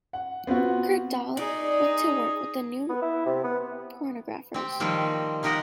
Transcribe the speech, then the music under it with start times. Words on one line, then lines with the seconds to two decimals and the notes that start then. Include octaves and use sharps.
Kurt Dahle went on to work with The New Pornographers.
0.13 F#5
0.47 B3 C4 F4 F#4
1.37 D#4 G#4 D5
2.89 B3
3.02 E4
3.26 C3
3.44 B3
4.54 C4 G4
4.80 D#3 F3 G3 A#3 C4
5.43 A#3 D#4 G4 A#4 D#5 F#5